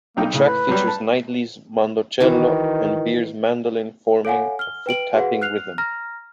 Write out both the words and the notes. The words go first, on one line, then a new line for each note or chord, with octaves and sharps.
The track features Knightley's mandocello and Beer's mandolin forming a "foot tapping" rhythm.
B1 A#3 D#4 G5
A2 C#3
B4
F#3 G3
A5
D#3 E3 F#4 D6
A4 C#5 F5 F#5 G#5
F6 G7
B4 G5 D7 F#7
F#4 G#4 B4 F5 F#5
F6 F#6 C7 F7
A#5 F6 A#6